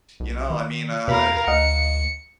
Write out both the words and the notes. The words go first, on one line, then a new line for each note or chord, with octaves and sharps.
you know, I mean, uh,
B1
D#3
E2 B2 A#4 F5 B5
D2 D#5 F5 F#5 C#7